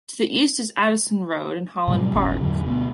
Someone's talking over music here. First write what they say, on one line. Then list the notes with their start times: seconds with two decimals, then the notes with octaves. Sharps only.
To the east is Addison Road and Holland Park.
1.88 G#2 B2 F#3 G3
2.12 D1 G1 A2 C#4
2.41 E2 A2 D3 F#3
2.66 D2 B2 B3